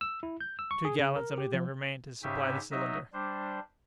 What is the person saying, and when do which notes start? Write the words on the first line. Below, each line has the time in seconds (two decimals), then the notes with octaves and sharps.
Two gallons only then remained to supply the cylinder.
0.01 E6
0.23 E4
0.41 G6
0.59 E6
0.71 C#6
0.85 G#4
0.99 C#3
1.16 A#4
1.38 G4
1.54 F3
2.23 G#2 C#3 C#4 G4 E5
2.71 F#3 D#4 D#5 E5
3.13 G3 D4 C5